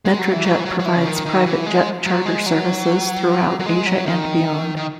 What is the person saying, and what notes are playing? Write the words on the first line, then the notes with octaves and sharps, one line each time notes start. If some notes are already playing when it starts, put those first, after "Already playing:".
Metrojet provides private jet charter services throughout Asia and beyond.
G#3
F#3
E3
F#3
E3
F#3
F#3
E3
C#3
D#3
D#3
E3
G#3
F#3
G#3
F#3
F#3
G#3
F#3
D#3
D#3